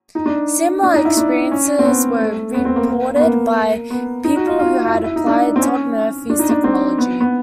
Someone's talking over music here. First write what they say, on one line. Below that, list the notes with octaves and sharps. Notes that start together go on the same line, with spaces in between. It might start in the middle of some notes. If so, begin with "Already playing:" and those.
Similar experiences were reported by people who had applied Todd Murphy's technology.
D#4
D4
D4
D#4
E4
D4
C#4
C4
B3
A3
B3
C4
A#3
A#3
B3
A#3
B3
D#4
F#4
F4
F4
E4
E4
D#4
D4
C4
C#4
D4
D#4
D4
C4
B3
B3